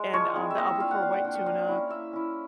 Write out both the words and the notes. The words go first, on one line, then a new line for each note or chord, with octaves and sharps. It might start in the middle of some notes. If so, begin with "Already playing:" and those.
and, um, the Albacore white tuna,
Already playing: G#3
F3 C#5
G#3 C4 E4
E5
A#3 D#5
E5
D4 F4 F5
F#5
A#3 F5
F#5
D4 F4 G5
F#5
A#3 F5
C#4 E4
A#3 E5
C#4 E4